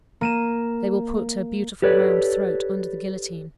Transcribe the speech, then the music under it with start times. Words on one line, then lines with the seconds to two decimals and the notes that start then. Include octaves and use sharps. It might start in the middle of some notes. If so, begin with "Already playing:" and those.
They will put her beautiful round throat under the guillotine.
0.21 A#3 D#7 E7
1.82 G4 A4 B4 C#5 D5